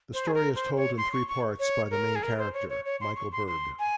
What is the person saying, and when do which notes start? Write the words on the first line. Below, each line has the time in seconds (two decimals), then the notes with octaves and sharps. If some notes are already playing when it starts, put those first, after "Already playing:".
The story is told in three parts by the main character, Michael Berg.
0.14 C5
0.27 G#4
0.34 A#4
0.55 C5
0.77 C#5
0.98 C6
1.13 C#6
1.28 C#6
1.60 C#5
1.91 A#4
2.15 G#4
2.23 A#4
2.38 C5
2.54 C#5
2.70 C#5
2.85 C#5
3.01 C6
3.16 C#6
3.32 C6
3.47 C6
3.79 G#5